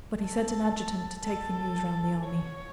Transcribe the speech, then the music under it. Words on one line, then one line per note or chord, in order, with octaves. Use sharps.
But he sent an adjutant to take the news round the army.
A4
A4
C#5